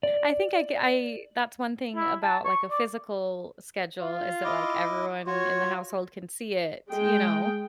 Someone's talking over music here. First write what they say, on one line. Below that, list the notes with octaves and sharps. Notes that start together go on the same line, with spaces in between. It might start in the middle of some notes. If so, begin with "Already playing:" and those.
I think I c I, that's one thing about, like, a physical schedule, is that, like, everyone in the household can see it, you know?
D5
E4
A5
C#6
D5
F4
E4 D#5 D6
F4 F#4 C#5
G#3 G5